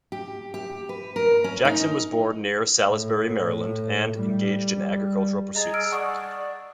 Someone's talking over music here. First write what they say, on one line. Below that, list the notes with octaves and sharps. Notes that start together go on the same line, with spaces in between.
Jackson was born near Salisbury, Maryland, and engaged in agricultural pursuits.
G4
G4
B4
A#4
C#4
D#4
A2
G3
G#4 D#5 A#5 A6
E6 F6 D7
D5 F#5 C#6 D#6